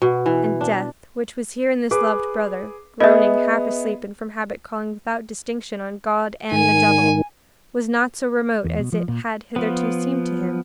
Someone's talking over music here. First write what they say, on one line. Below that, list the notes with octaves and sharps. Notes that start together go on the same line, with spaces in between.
And death, which was here in this loved brother, groaning half asleep and from habit calling without distinction on God and the devil, was not so remote as it had hitherto seemed to him.
B2
E3
D4
G#4 B4 D6
B3 G#4 D#5 E5
G#2 D#3 G#5
E2
B2
F3
A#2
F3 B3